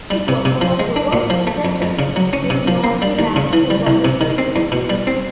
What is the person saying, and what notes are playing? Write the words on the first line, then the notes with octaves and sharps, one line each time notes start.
It was one of the worst stretches in Notre Dame football history.
G3
C3
C3
F3
G#3
D4
A#2
F3
A3
F2
F2
C#3
F#3
C#4
C3
F3
A#3
G3
D#2
C#3
E3
G3
C2
C3
D#3
C4
E2
B2
G3
C4